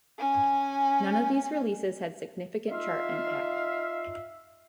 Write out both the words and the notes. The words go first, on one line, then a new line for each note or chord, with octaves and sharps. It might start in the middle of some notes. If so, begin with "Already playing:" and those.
None of these releases had significant chart impact.
C#4 G#5
D#4 F4 E5 F5